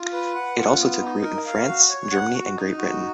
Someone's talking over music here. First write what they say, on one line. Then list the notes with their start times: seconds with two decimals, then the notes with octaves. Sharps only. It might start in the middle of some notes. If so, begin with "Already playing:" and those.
It also took root in France, Germany, and Great Britain.
Already playing: F4
0.12 B4
0.35 F#5
0.57 F4
0.79 B3
1.01 D#4
1.22 A#4
1.45 F5
1.67 F#4
1.89 C#5
2.11 F#5
2.33 F#4
2.56 D#4
2.78 F#4